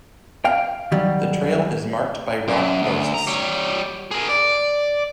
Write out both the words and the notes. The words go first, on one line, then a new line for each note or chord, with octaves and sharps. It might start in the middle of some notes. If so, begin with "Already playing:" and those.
The trail is marked by rock posts.
F5 G5
D#3 F#3 G3
F#2
D2
A#5
G3 C#5
G#4 A#4
D5